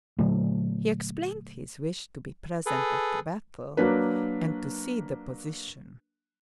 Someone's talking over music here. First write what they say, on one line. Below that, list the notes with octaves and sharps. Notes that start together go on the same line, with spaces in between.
He explained his wish to be present at the battle and to see the position.
A#2 D3 F#3 A3
G#4 A4 B4
F#3 A#3 D4 B4